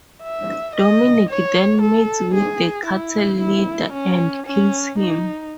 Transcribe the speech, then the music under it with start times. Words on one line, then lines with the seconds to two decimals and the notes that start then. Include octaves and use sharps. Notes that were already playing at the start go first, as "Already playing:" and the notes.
Dominic then meets with the cartel leader and kills him.
0.23 E5
0.75 D#5
1.29 C#5
1.81 A4
2.34 G#4
2.86 E4
3.40 E4
3.92 C#4
4.46 C#4
4.98 D#4